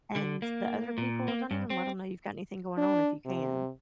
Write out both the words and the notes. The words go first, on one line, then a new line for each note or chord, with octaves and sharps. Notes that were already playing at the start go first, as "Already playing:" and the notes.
And the other people, don't even let 'em know you've got anything going on if you can.
D3
A#3
A#2
A#3
G2
C4
D4
C3